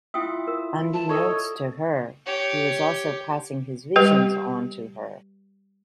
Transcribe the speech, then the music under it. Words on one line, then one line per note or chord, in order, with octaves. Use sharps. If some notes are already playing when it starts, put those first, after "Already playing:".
Unbeknownst to her, he was also passing his visions on to her.
E4 F4 E5 G5 D#6
A#4
A5
A4 C#5 D#5
G4 C#5
G3 G4 B4 G5